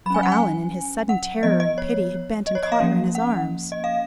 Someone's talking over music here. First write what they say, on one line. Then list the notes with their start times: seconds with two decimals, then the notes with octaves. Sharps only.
For Allan, in his sudden terror and pity, had bent and caught her in his arms.
0.06 F#3 B5
0.10 C#4 G#5
0.23 F#5
0.32 G#5
1.09 F#5
1.43 F3 B3 D#5
1.60 D#5
1.78 C#5
2.47 D#5
2.55 C#5
2.63 D#5
2.72 F5
2.80 F3 A#3 C#4
3.15 F#5
3.72 D#5
3.84 F5